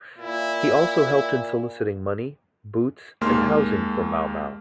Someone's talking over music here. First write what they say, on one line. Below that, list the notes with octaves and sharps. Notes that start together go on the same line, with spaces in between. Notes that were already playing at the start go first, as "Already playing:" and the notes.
He also helped in soliciting money, boots and housing for Mau Mau.
A#2 E4
D#2 G#3 A#3 C6 F6